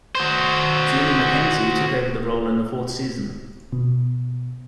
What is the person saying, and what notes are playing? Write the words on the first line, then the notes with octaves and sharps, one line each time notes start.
Julia McKenzie took over the role in the fourth season.
F#4 C5
B2